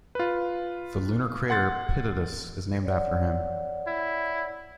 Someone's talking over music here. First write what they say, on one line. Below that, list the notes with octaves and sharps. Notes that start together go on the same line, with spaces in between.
The lunar crater Pitatus is named after him.
F4 B4
F#5 C6 A6
C#5 D5 F#5
E4